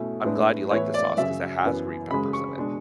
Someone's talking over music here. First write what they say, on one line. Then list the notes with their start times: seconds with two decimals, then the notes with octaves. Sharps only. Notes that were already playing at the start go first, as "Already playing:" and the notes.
I'm glad you like the sauce ‘cause it has green peppers in it."
Already playing: B2 A3 C#4 E4
0.25 A2 G#3 B3 D4
0.71 A2 E3 B3 E4 C#5
0.94 D5
1.17 F#2 C#3 F#3 E5
1.64 F#2 E3 B3
2.10 F#2 C#3 G#3 B5
2.33 C#6
2.57 B2 G#3 D4